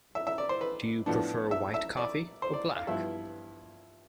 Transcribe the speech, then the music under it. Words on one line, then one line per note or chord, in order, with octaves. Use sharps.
Do you prefer white coffee, or black?
E5
E5
D5
C5
B4
A2 F3 B3 D4
E5
E5
D5
C5
D5
F5
G2 F3 B3 E4 E5